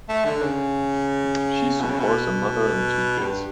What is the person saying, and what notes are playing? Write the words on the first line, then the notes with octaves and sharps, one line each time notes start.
She supports a mother and two kids.
A3
D3
C#3
B2
C#3
B2
G2